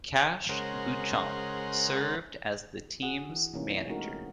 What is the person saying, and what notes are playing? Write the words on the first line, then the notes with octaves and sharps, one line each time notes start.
Kash Beauchamp served as the team's manager.
C#3 G#3 A#4 C5 F#5
F#4 G#4 F#5
E3
C3 E3 A#3 C#4 D#4
G#3 A3 C4 D#4 F#4 A#4